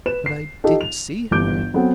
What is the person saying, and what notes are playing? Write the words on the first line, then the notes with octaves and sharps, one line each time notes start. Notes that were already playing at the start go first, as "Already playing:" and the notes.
"But I didn't see her."
B4 E7
C7
D#4 F4 G4 A4 D#5
F7
G1 E3 G3 D6 G6 D7
F#3 B3 C4 A4 F#5